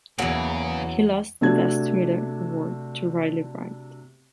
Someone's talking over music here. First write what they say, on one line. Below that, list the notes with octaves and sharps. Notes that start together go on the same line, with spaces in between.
He lost the Best Twitter award to Riley Reid.
E2 C#3 E3 F#3 A#3
C3 A3 D4 F#4 G#6